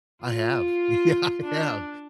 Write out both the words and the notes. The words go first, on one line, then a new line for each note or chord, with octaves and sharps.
I have. Yeah, I have,
F4
D4